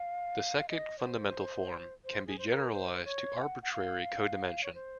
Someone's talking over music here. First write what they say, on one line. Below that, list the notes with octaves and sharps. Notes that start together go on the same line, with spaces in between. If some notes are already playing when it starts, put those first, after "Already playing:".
The second fundamental form can be generalized to arbitrary codimension.
Already playing: F5
F5
D#5
C#5
C5
C5
G#4
C5
A#4
C5
C#5
F#5
F#5
F5
C#5
C5